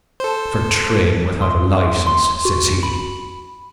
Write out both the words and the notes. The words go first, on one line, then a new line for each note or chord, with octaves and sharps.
For trading without a licence, says he.
A4 C5
C6
C6
F#4
B5